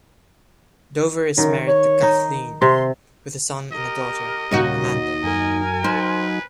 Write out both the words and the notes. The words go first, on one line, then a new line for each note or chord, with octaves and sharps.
Dover is married to Kathleen, with a son and a daughter, Amanda.
F#2 D#3
C#5
D#4
C3 C6
G4 A#4 D#5
D#2 A#2 C#3 G3 D#4 F#4
F#2 A#4 G#5
F#3 D#4 B4 C5